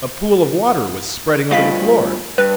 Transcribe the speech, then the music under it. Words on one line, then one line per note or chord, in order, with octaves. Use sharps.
A pool of water was spreading over the floor.
G2 B2 F3 D#5 F5 B6
G2 B4